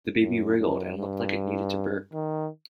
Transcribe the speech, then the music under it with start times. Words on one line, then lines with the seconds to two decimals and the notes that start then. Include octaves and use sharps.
The baby wriggled and looked like it needed to burp.
0.19 F#2
0.58 F#2
0.97 G2
2.13 D#3